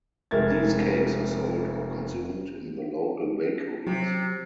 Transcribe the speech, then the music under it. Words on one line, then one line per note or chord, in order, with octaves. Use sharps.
These cakes are sold or consumed in the local bakeries.
F1 G#3 A#4 E5 G#6 A6
C3 F#3